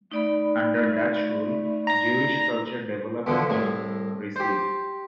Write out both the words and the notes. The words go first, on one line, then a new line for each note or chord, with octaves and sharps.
Under Dutch rule, Jewish culture developed in Recife.
A3 D#4 D5 B5
A3
A#5 A#6
B2 D3 E3 F3
C2 A2
G4 C5